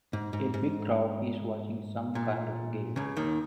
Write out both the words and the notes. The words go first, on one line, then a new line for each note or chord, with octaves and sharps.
A big crowd is watching some kind of a game.
G#2
G#2
G#2
A#2
C#2 C#3
D#2 D#3